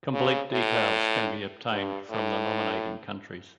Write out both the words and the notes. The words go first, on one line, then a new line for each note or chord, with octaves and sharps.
Complete details can be obtained from the nominating countries.
C#3
A2
G2
A2